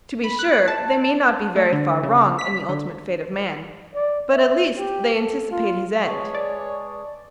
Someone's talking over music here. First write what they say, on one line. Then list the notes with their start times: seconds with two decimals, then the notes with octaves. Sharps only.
To be sure, they may not be very far wrong in the ultimate fate of man, but at least they anticipate his end.
0.24 B5
0.39 F#6
0.68 A5
1.56 A3
1.73 D3
2.03 C#3
2.39 B6
2.69 D3
3.95 D5
4.32 E5
4.77 G4
5.15 A4
5.51 F4
6.06 G#3 G#4 B4 C#5 D#5 A5
6.35 D5